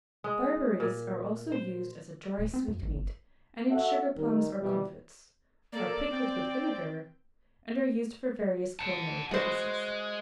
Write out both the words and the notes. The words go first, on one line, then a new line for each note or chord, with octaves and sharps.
Barberries are also used as a dry sweetmeat, and in sugarplums or comfits; are pickled with vinegar, and are used for various culinary purposes.
G#3
A#2
C5
D#1
C4
F#2
A1
G1
F#4 A4 E5 F#5
D#3 G3
B2 E3 F3 G3
A#3 A4 D5
C4 G5
F#5 A5
G#3 F#4 C5